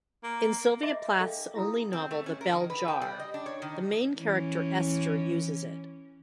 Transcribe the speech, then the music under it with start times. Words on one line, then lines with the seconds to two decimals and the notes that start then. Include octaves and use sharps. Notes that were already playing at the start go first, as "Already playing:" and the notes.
In Sylvia Plath's only novel The Bell Jar the main character Esther uses it.
0.24 A#3
0.83 D#5 E5 D6
1.19 D4 G#4 A4 F5 G5
1.55 E4 F4 G#4 A#5 D#6
1.93 C4
2.11 A3
2.26 C#4
2.41 A#4
2.53 D#3
2.70 B4
2.88 G5
3.02 G3
3.20 D#5
3.34 D4
3.46 C#5
3.62 D#3
4.16 E3 C#4